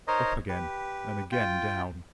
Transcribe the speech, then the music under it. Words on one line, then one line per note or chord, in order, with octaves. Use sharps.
Up again, and again down.
D#4 A#4 C5 C#5 D#5
G4 B4
F4 G5